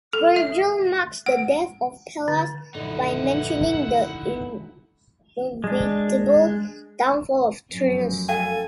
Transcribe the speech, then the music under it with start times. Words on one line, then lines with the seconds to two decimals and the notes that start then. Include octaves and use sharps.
Virgil marks the death of Pallas by mentioning the inevitable downfall of Turnus.
0.13 A4
0.36 E5
1.26 F#5
2.28 D3
2.75 A#1 F#2 D3 E3 D#4 E4 F#5
5.64 G#3 D4
7.71 F1 F#2
8.29 A4 F5 G5 G#5